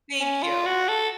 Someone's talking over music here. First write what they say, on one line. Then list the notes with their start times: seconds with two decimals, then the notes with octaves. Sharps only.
Thank you.
0.21 C#4
0.43 F4
0.65 F#4
0.88 A4